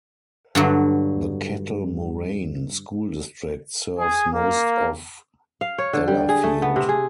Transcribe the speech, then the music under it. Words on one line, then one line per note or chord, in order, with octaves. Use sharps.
The Kettle Moraine School District serves most of Delafield.
G2 D3 F#3
G#4
A#3
F5
C#5
D3
G3
G#4
A3
B3
C3
G#4